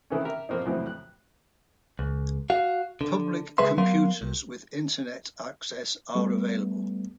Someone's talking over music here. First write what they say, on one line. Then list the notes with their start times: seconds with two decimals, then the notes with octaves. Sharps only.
Public computers with Internet access are available.
0.10 D#3 E3 A3 C4 C#4
0.25 G4 A#4 E5
0.49 A#2 F3 A#3 C4 D#4
0.66 F2 A2 E3 F#3 C4
0.87 F#6
1.99 C#2
2.50 F#4 F5
3.01 D3
3.58 C#3 G#3 G#4 B4 E5 C6
3.78 F#3 B3 A#4 F5 C6
4.21 C2
6.15 G3 A3 B3